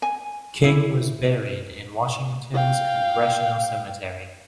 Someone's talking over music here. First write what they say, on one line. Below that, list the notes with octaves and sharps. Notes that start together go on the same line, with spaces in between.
King was buried in Washington's Congressional Cemetery.
G#5
E4
F5 G5